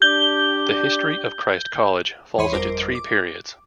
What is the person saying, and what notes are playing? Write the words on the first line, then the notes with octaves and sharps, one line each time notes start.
The history of Christ College falls into three periods.
D4 G4 G6 G7
E2 E3 C#5 B5 C6 D#7
G1 F2 A#4 C5 D6 D7
D6